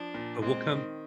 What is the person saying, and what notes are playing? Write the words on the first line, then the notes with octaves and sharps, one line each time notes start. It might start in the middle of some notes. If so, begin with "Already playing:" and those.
and we'll come
Already playing: F3 D4
A#2
G#3 C4
D#3